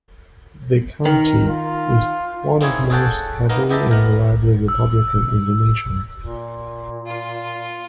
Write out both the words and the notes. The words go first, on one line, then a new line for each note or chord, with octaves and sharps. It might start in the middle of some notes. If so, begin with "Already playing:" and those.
The county is one of the most heavily and reliably Republican in the nation.
D#3 A#4
F4
A#3 C4 D#4 E4 G#4 C#5
G#4 A4 C#5 F#5 G5 A5
A#3 B3 D#4 A#4
B3 E4 G4 D#5 E5 A5
B3 A#4
E6
A#2
F4